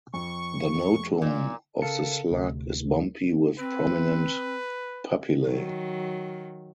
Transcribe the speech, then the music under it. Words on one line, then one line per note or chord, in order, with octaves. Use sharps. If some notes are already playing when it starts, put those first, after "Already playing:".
The notum of the slug is bumpy with prominent papillae.
F2 C#6
A#2
C#3 A4 A#4 F5 A5 C#7
D2 C3
C4 B4
D#3 F#3